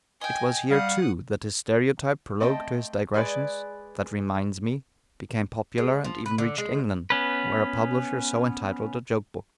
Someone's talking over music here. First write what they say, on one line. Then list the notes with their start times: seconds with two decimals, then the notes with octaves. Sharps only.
It was here, too, that his stereotyped prologue to his digressions--"That reminds me"--became popular, and even reached England, where a publisher so entitled a joke-book.
0.21 D#5 G5 G#5
0.71 G3 F5 F#5 D#6
2.40 A3 C4 D#5 G5 A5
3.14 G#3 G#4 B4 D5
5.78 G#3
6.04 F3
6.26 B4
6.38 D3
6.58 G#3
7.10 B3 C#4 B4